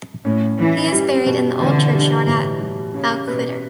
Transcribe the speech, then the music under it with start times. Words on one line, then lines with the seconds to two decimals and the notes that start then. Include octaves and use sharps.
He is buried in the old churchyard at Balquhidder.
0.25 A2 C#4
0.59 E3 C#4
0.93 G3
1.26 B2
1.60 D3 E3
1.93 G3
2.27 A2
2.61 G3
2.94 C#3 C#4
3.28 B2 B4